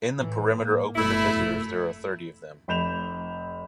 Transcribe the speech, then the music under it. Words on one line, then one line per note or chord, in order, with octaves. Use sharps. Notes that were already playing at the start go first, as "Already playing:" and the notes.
In the perimeter open to visitors there are thirty of them.
A2 E3
A#3
G1 B2 A3 E4
F1 F#2
F1 B5 G6 E7 F7